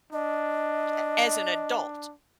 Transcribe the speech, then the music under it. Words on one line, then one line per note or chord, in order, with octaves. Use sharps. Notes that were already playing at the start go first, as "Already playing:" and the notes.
a as an adult.
D4 D#5